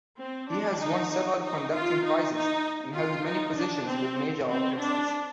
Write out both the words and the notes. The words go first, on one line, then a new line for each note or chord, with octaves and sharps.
He has won several conducting prizes and held many positions with major orchestras.
C4
D4
D#4
D#4
D#4
F4
D#4
D#4
F4
D#4
D4
C4
C4
D4